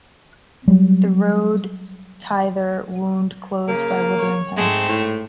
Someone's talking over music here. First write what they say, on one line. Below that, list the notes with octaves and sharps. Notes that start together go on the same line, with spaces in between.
The road thither wound close by Wuthering Heights.
F#3 G3
C#3 A#3
C#5
G#2 G#3 A3 C4
A2